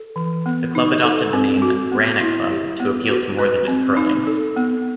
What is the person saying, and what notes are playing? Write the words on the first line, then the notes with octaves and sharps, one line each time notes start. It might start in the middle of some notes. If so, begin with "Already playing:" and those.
The club adopted the name "Granite Club" to appeal to more than just curling.
Already playing: A4
E3
B3
D#4
A4
C4
F#4
B3
E4
G4
B3
F#4
B4
C4
D#4
A4
B3